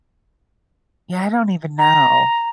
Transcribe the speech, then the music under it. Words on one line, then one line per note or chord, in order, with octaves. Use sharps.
Yeah, I don't even know.
A#5